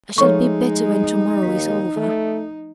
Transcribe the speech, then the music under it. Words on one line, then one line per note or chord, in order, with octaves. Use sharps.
'I shall be better when to-morrow is over.'
F3 G#3 A3 D#4 A4 C#5 C#6
D#2 B6
A3